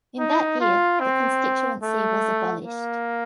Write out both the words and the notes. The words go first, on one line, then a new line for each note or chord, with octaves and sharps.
In that year the constituency was abolished.
D#4
F4
C4
A3
A#3